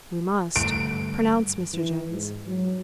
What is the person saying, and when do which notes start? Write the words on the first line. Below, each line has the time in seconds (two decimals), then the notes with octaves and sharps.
"We must," pronounced Mr. Jones.
0.56 G2 D3 A3 D7
1.73 E3
2.09 G#2
2.47 F#3